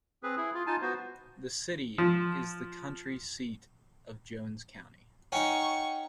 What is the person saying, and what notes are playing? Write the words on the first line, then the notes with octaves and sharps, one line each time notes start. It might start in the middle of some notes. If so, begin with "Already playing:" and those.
The city is the county seat of Jones County.
C4 G#4 B4
E4 G#4
F4
D#4 F4 G#5 A5
B3 F#4 C5
F3
C#4 D#4 F#5 G5 C#6